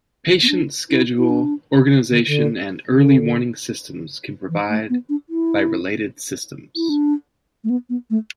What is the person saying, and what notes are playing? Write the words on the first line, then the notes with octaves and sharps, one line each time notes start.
Patient schedule organization and early warning systems can provide by related systems.
B3
D4
E4
E4
D4
D3
D3
D3
E3
A3
B3
D4
E4
E4
D4
A3
B3
B3
A3